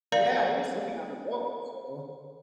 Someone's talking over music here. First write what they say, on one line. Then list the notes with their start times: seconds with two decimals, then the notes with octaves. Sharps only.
Yeah, he was living on the boat, so.
0.12 A#4 D5 F5 A#5